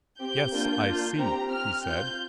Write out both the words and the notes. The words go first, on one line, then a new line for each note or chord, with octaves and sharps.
"Yes, I see," he said.
C4 G4 G6
A#3 D4 F4
A#3 D4 F4
C4 G4 A#5
C4 G4 F6
C4 F4 G6